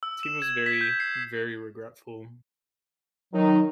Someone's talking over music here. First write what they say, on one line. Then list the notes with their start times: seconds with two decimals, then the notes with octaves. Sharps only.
Temu's very, very regretful,
0.03 E6
0.23 E7
0.42 G#6
0.66 B6
0.81 G6
1.00 C7
3.33 D#3 F#3 D#4